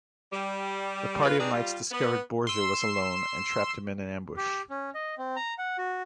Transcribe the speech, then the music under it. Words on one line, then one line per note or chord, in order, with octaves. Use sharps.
The party of knights discovered Borgia was alone, and trapped him in an ambush.
G3
F4 B4
C4 D4 D#4 G#4 B4
G3 F4
B3
C6 E6
G4
C#4
D#5
C4
A#5
F#5
F#4